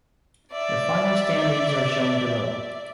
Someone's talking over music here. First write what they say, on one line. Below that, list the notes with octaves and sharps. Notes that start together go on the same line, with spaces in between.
The final standings are shown below.
D5 E5